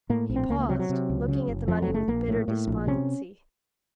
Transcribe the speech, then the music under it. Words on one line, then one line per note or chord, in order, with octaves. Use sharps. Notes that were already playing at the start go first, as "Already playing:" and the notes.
He paused, looking at the money with bitter despondency.
A2 A#3
A#1
C4
C#2 A#3
A#3
C3 F#3
F#3
C3
C#2
C#3
F#1
F2 F3
F#3
F#1
A3
A#1 A#3
A2
A2
A#1
C3 C#4